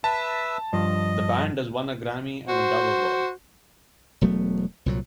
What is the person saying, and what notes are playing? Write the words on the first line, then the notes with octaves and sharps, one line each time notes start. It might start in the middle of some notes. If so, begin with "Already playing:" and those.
The band has won a Grammy and a Dove Award.
B4 E5 A5 E6
G2 F3 D#5
F#4 C5
E1 F#3 A3 B3
C2 A#2 F#3